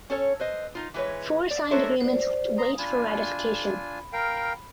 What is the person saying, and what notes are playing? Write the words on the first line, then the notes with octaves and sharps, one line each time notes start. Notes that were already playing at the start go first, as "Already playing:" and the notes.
Four signed agreements wait for ratification.
C#4 A4 C#5
B4 C5 D#5
D#4 F4
E3 G#3 B4 C#5
D5
D4 A4 A#4 C5 C#5 E5
C5 D5
A#5 C6 D#6
D4 F4 G#5 B5
A#4 F5 G5